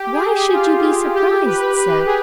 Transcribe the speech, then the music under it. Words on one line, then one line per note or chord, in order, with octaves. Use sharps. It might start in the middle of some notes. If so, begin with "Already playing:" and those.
"Why should you be surprised, sir?"
Already playing: G4
G#4
G4
F4
G4
G4
B4
B4
B4
G#4